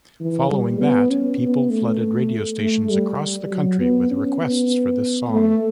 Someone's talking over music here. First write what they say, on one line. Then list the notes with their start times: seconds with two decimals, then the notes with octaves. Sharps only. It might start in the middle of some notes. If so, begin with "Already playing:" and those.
Following that people flooded radio stations across the country with requests for this song.
0.21 E3
0.51 G3
0.80 B3
1.10 C#4
1.41 B3
1.70 A3
2.60 A3
2.90 G3
3.51 F#3
3.80 B3
4.11 C#4
4.41 B3
5.31 A3